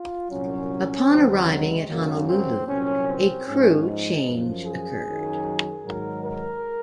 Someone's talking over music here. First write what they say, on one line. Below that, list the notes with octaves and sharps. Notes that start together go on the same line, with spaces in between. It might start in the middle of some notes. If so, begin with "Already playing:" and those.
Upon arriving at Honolulu, a crew change occurred.
Already playing: F4
C2 A#2 F#3 C#4
D#2 C#3 F#3 C4
G#3
F#2 C#3 F#3 A#3
C4
C2 A#2 F#3 C#4
C4
G#2 F3 C#4
D#4
F#2 F3
G#4
F#2 D#3 F#3
G#2 D#3 F#3 A#4
A#4